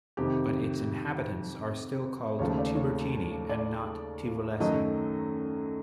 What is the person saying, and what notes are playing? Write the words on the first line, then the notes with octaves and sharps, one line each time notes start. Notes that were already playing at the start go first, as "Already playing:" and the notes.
But its inhabitants are still called "Tiburtini" and not "Tivolesi".
F2 C3 D#3 G4
D#2 C#3 F3 A3 C#5
D5
C#5
D5
F#2 D#3 F#3 A3 D#5